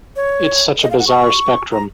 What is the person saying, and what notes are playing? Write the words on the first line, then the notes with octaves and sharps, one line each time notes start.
It's such a bizarre spectrum.
C#5
D#5
F5
F#5
C#6
A#5